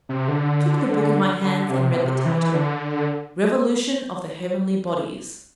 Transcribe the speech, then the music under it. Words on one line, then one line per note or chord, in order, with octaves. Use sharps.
I took the book in my hands and read the title, 'Revolution of the Heavenly Bodies.'
C3
D3
D3
C3
B2
C3
E3
D3